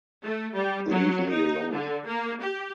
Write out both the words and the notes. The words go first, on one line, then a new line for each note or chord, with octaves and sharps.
Leave me alone.
A3
G3
F#3
D#4
D3
A#3
G4